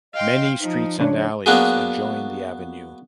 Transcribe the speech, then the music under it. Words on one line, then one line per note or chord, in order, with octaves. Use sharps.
Many streets and alleys adjoin the avenue.
D#5 F5 G5 C6
F3 D#4
C#3 D4 C#5
F#3 A#3 B3 D4 F#4 G#4